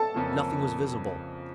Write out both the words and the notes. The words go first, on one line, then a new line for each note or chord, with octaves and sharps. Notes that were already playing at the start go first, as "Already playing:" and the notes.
Nothing was visible.
Already playing: A4 A5
F2 C#3 F3 A#3